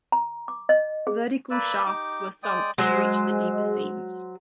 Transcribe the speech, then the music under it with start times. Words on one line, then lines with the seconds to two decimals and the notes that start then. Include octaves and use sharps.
Vertical shafts were sunk to reach the deeper seams.
0.12 A#5
0.48 D6
0.69 D#5
1.07 G#4
1.50 A#3 B4 D5 E6
1.86 D#4 G4 D6
2.43 G#3 D5 G5 D#6
2.78 F#3 G#3 C5